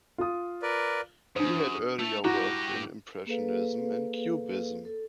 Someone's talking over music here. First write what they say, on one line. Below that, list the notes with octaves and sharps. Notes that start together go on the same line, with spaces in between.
He had earlier worked in impressionism and cubism.
F4 D#6
A#4 B4 D5
F#2 D4 C5 D#6
A3 A4 F7
G2 E4 F#4 G4 A#6
A#3 G#4 A4 B4 F5
A4